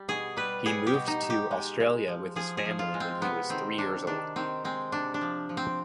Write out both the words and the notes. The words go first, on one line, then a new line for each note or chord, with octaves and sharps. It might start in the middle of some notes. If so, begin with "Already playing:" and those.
He moved to Australia with his family when he was three years old.
Already playing: G3
B2 G#4
G3 B4
G3 G#4
G4
B2
D#4
B2
G4
G#3
G#3
F3
F3 G#4
G#4
F3
F4
G#3
C4
C3 B3
D#3 C4
C3 D4
D#3 D4
D#3 C4
G#3 C4
C3 D4
D4
F3
F3
C4